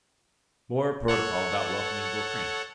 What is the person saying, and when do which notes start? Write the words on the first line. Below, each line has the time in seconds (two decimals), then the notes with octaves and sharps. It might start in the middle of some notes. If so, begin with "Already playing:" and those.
More protocol about welcoming Gorkrink.
1.08 A4 C#5 F#5